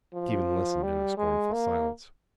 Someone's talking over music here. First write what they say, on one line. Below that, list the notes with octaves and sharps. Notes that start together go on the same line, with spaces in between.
Stephen listened in scornful silence.
F3
G3
G#3
A#3